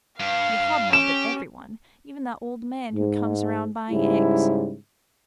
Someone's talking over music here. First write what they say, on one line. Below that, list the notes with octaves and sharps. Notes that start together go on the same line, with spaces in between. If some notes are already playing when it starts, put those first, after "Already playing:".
You hobnob with everyone, even that old man who comes around buying eggs.
G2 F5
C#4 G4 E7
G#2
G#2 C#3 G3 E4